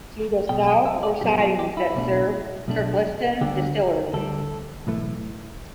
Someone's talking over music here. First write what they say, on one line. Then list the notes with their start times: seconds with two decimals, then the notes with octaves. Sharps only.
To the south were sidings that served Kirkliston Distillery.
0.49 B1 B2 G3 G5
0.67 G5
0.85 E5
1.03 D5
1.21 B1 B2 G3 G4
1.40 F4
1.59 G4
1.77 E4
1.94 B1 B2 A3 D4
2.68 B1 B2 A3 D4
3.41 D2 D3 G3 D4 G4
4.13 D2 D3 G3 D4 A4
4.87 B1 A2 E3 A3